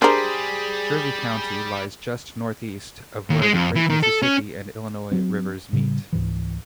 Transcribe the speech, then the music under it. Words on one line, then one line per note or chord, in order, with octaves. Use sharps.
Jersey County lies just northeast of where the great Mississippi and Illinois rivers meet.
G3 D4 G4 G#4 A#4 C5
D#2
G#3
F2
E3
D#3
A4
C#4
F#3 C4
A2 C#3 G3
C#2 G#2 E3